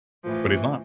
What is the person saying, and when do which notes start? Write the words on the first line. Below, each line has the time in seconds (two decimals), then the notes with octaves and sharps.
but he's not.
0.24 A2 E3 F3